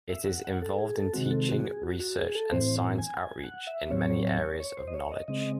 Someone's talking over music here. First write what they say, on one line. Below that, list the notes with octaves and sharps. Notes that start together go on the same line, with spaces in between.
It is involved in teaching, research and science outreach in many areas of knowledge.
E5
F#5
F#5
A4
G#4
A4
C3 D#3 G#3 C4 F#4
A4
F#4
G#4
F#4
F#4
G#4
A4
A2 E3 C4 C5
G#5
G#5
F#5
E5
A2 F#3 C4 C#5
C#5
C5
D#5
C#5
D#5
C#3 G#3 C4 D#5